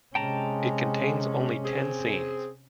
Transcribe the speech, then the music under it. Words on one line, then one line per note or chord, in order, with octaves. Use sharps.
It contains only ten scenes.
C3 G#3 C#4 G5 A5 A#5
C4 G#4